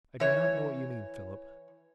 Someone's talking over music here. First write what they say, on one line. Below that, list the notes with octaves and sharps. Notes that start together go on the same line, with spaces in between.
"I do not know what you mean, Philip."
E3 C#5